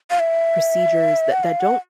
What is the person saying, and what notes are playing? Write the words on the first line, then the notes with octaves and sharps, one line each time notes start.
procedures that that don't
F5
E5
F#5
F5
F#5